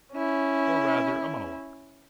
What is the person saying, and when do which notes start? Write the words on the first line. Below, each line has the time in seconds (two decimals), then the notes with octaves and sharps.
Or, rather, a monologue.
0.13 C#4 E4